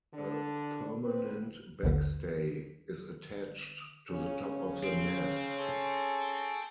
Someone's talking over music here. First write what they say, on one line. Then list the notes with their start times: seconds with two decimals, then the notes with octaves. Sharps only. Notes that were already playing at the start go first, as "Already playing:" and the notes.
A permanent backstay is attached to the top of the mast.
0.14 D3 D4
1.03 C4 B4
1.83 A1 D#2 D3
4.10 C#3 C#4
4.84 C4
5.58 G#4 A4 C#6